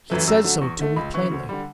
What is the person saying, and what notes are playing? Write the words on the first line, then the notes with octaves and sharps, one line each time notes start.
He said so to me, plainly.
F#2 E3 A3
F#2 E6
D3 F#3 A3
E2 C#6
D3 A3
C#2 B5
C#3 E3 C#6
D2
D3 G3